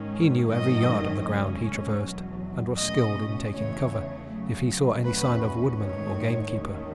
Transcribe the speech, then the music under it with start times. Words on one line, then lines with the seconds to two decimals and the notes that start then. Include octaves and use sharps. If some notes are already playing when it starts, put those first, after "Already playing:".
He knew every yard of the ground he traversed, and was skilled in taking cover if he saw any sign of woodman or gamekeeper.
Already playing: G#2 D#3 G#3 C#4
0.51 G#2 D#3 F#3 A3 C#4 D#5
1.26 D#2 C#3 G#3 C#4
2.02 E2 B2 F#3
2.78 B2 A3 C#4 D#5
3.52 E2 C#3 E3 A3 C#5
4.28 C#3 F#3 A3
5.04 E2 B2 A3 C#4 B4
5.80 G#2 D#3 A3 C#5
6.56 D#2 D#3 A3 C#4